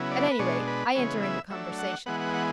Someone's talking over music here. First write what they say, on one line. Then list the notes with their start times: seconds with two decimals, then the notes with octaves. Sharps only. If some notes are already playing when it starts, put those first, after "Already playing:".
At any rate, I enter into conversation.
Already playing: C#3 F#3 B3 E4
0.11 D5
0.31 B4
0.39 B2 G#3 D4 C#5
0.68 B4
0.95 C#3 E3 G#3 B3 C#5
1.22 E5
1.50 F#3 A3 D4 E5
1.79 F#5
2.06 E3 G#3 B3 F#5
2.20 F#5
2.34 F#5